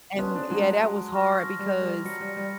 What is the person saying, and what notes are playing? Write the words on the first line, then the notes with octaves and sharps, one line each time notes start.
And yeah, that was hard because,
B3 C#4 A5 C6 D#6 F#6
C4 D4
F#3 G#3
C#6 F6 A#6
G3
G3
F#3 F6 A#6 C#7
G3
G3